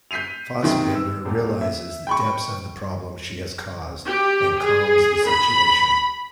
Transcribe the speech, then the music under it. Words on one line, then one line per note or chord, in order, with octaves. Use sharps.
Fassbender realizes the depths of the problem she has caused and calms the situation.
G6 B6 C7 D#7 F7
F#2 C3 D#3 E5 G5
E6
D#1 A#2
E5
G5 B5 C#6
G4
G#4
B5